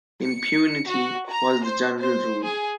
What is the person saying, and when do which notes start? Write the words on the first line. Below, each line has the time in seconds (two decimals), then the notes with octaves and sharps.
Impunity was the general rule.
0.24 C#7
0.88 F#4
1.30 A#5
1.63 C5
1.99 C5
2.44 G#4